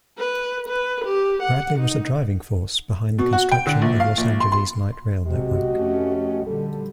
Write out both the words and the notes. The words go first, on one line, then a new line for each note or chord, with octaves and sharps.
Bradley was a driving force behind the construction of Los Angeles' light rail network.
B4
B4
G4
F#5
D#4
B2
F#4
G5
D3
A#1
F5
A#1
C6
C6
B1 C3 G#3 F#4 G4 D#5
F2 A3 C#4
A#1 D3 G3 A4